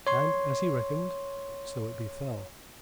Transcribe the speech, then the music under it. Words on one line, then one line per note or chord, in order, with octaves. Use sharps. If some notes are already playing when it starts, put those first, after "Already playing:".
And as he reckoned so it befell.
C#5 C6